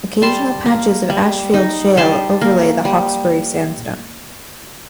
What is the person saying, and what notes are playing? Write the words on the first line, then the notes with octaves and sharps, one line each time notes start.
Occasional patches of Ashfield shale overlay the Hawkesbury sandstone.
G3 A5 C6
A#3
G3
D#4
G3 A5 C6
A#3
G3